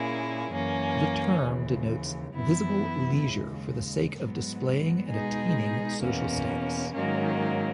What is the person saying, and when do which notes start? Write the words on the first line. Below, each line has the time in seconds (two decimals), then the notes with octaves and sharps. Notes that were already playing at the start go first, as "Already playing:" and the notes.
The term denotes visible leisure for the sake of displaying and attaining social status.
Already playing: A#2 A#3 C#4 E4 G#4
0.50 F#2 E3 A#3 C#4
1.42 D#2 C#3 E3
2.34 F#2 E3 B3 E4
3.25 D#2 C#3 G#3
4.17 G#2 F#3 B3
5.09 B2 G#3 D#4 G#4
6.01 E2 B2 A#3 C#4
6.92 G#2 D#3 F#3 A#3 C#4